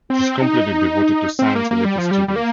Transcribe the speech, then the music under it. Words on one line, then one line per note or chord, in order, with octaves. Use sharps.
It is completely devoted to science-related studies.
C4
D#4
C4
A#3
A#3
G3
F3
G3
G3
A#3